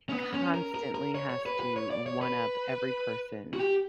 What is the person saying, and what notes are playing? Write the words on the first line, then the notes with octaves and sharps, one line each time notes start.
constantly has to one up every person
C#4
B3
C#4
A#4
A#4
A#4
C#5
C#5
B4
B4
C#5
D5
C#5
B4
F#4
G4